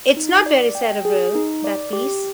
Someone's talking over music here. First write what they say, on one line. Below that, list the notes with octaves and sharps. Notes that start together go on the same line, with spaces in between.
It's not very cerebral, that piece.
D#4
D5
G5
G#4
D#4
D5
G4